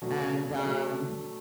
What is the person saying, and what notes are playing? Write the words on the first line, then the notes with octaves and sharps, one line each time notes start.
and, um
B2 F#3 A3 D4
B2 F#3 A3 D4